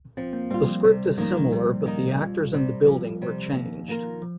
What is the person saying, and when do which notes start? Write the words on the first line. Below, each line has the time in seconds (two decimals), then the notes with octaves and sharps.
The script is similar but the actors and the building were changed.
0.17 F3 C4
0.33 A#3
0.50 G3 C4 F4
0.67 F3
0.84 C3 G3
1.17 D#3 F3 A#3 D#4
1.52 C3 G3
1.86 D#3 A#3 D#4
2.20 F2
2.53 C3 G3
2.87 F2 F3
3.21 C3 G3
3.55 D#2
3.88 D#3 A#3 F4 A#4
4.22 F3